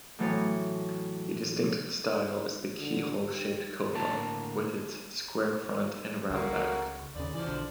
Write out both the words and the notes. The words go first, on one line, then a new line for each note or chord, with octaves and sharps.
A distinct style is the keyhole-shaped kofun, with its square front and round back.
A2 E3 F#3 B3 A4 C#5
D3
G4
A2 D3 A#3 F#4 A5 A#5
C#2 C#3 A3 A#3 F#4
D#2 C#3 D5
E3 F3 D5
B1 D3